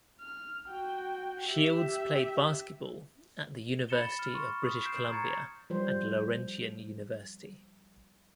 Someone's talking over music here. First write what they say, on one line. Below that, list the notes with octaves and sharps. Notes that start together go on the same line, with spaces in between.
Shields played basketball at the University of British Columbia and Laurentian University.
F6
F#4 G5
G4 E5
B5 A6 C#7 E7 G7
F6
C6 C#6
C#6 D#6
G6 C7 D7 E7
A#5 C#6 G#6 A6 C#7
F3 G3 C5